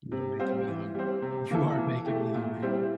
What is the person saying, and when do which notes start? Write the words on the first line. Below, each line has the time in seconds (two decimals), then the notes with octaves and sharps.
You are making me hungry. You are making me hungry.
0.12 C3
0.39 G3 C4 F4
0.68 E3
0.95 G3 C4
1.22 C3
1.51 E3 A#3 E4 A4
1.79 E3
2.06 A3 E4 G4
2.35 A#2
2.62 G3 C4 E4